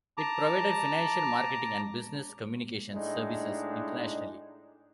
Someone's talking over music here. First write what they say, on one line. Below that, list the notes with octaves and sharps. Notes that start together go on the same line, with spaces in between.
It provided financial, marketing and business communications services internationally.
A5 A#5 D6
A2 G#3 D4 D#4